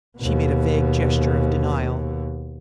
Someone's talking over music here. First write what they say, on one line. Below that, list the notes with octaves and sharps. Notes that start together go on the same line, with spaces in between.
She made a vague gesture of denial.
D#2 B2